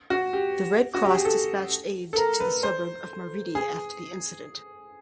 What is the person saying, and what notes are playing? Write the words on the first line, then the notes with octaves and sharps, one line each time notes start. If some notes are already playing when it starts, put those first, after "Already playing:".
The Red Cross dispatched aid to the suburb of Maridi after the incident.
F#4
G4
F#4
G4
G#4
A4
A4
A#4
B4
C5
G#4